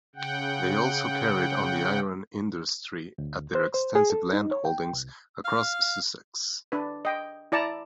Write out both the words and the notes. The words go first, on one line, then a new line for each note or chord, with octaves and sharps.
They also carried on the iron industry at their extensive landholdings across Sussex.
C#3 F#5 G5
D2
C5
C5
G#4
A4
D#4
C#5
G5
C2
F5
D4 B4
D#5 G5
E4 D5 A5 A#5